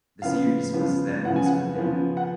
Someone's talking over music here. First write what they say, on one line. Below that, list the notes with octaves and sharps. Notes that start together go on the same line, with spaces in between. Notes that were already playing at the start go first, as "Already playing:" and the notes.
The series was then discontinued.
C#3 F3 B3 F5
C#3 F3 B3
C#3 F3 B3 F#5
G#5
F#5
C#3 F3 B3
F#5